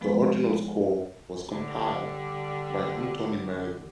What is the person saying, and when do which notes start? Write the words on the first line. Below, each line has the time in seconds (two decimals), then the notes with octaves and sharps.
The original score was compiled by Anthony Meredith.
0.01 F3 G#3 B3 B4
1.50 D3 G3